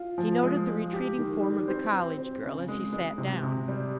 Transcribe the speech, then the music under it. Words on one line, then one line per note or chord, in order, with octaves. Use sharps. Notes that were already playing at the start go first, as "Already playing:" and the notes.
He noted the retreating form of the college girl as he sat down.
Already playing: F4
F3
G#3
G#3
G4
D#3
G3
C4
C4
C4
C#3
G#3
G#3
C3
C3
G3